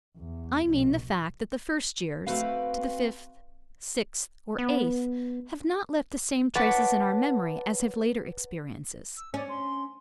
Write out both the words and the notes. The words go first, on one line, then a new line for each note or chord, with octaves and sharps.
I mean the fact that the first years, to the fifth, sixth or eighth, have not left the same traces in our memory as have later experiences.
E2
A#1 B2
A3 C4 F#4 B4 F5
B3
B4 C#5 F#5 A5 B5 D6
E6
C#4 D5
C6